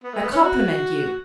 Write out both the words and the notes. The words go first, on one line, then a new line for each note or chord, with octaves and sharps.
I compliment you!
B3
A3
B3
C#4
F#4